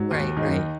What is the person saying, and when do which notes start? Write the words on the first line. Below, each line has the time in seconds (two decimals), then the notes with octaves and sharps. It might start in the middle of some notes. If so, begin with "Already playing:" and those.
Right, right.
Already playing: G#2 F#3
0.11 D#2
0.37 G#2 D#3
0.48 F#2